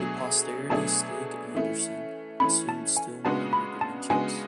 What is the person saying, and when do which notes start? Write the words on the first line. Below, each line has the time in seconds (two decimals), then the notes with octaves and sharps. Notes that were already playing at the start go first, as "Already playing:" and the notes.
To posterity Stig Andersen assumed still mightier dimensions.
Already playing: B2 F#3 A3 D4 G#4
0.69 B2 F#3 A3 D4 G#4 A5
1.54 E3 A3 C#4
2.40 E3 A3 C#4 B5
2.69 A5
2.97 G#5
3.25 C#3 G#3 B3 D4 F#4 A5
3.53 B5
3.81 A5
4.09 C#3 G#3 B3 D4 F#4 G#5